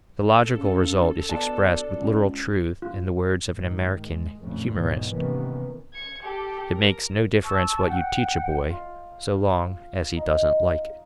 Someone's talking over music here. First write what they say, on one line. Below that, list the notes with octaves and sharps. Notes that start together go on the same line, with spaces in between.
The logical result is expressed with literal truth in the words of an American humorist: "It makes no difference what you teach a boy so long as he doesn't like it."
A4
C#3
B2 D4 A5
C#2
F4
G#2 D#3
G#3
F2 A#2 C#3 A3
E2 G#2 B2 D#3 E3 F#3
C3 D#3 E3 A#3 B3 C#4
G#6 C#7
G4 A4
A#4
A5 C#6 E6
F#5 G5
F4
D#4